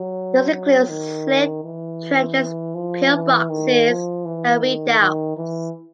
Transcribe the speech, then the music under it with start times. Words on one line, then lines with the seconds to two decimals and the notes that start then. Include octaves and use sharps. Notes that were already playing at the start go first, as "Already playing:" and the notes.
This includes slit trenches, pillboxes, and redoubts.
Already playing: F#3
0.51 F#3
0.89 D#3
1.64 E3
2.75 F3
3.13 E3
3.49 D#3
3.88 F3
4.25 E3
4.61 D#3
4.99 D#3
5.37 E3